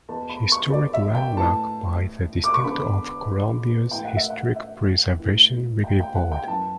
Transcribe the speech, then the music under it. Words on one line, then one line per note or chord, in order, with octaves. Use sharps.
Historic Landmark by the District of Columbia's Historic Preservation Review Board.
E2 B2 A5
B5
C#6
D5
E5
G5
A2 E3 A5
D6
C#6
E2 D3 B5
A2 E3 G5
F#5
E5
F#5
E5
A2 E3
G5
G5
F#5
G5
F#2 E3 A5